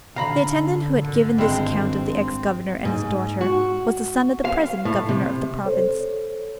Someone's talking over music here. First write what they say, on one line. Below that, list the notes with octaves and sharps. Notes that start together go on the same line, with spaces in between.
The attendant who had given this account of the ex-governor and his daughter, was the son of the present Governor of the Province.
D3 F5 A#5 B5
G#1 D3
G2 G#3 C4
G#2
F#4
F5
A2
C3
A4 C5 C#5